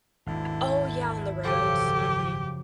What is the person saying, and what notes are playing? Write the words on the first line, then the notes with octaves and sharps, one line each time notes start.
Oh, yeah, on the roads? Mhm.
G#1 D#2 D3 E3 E4
F#2 C#3 F3 F#3 G4 A4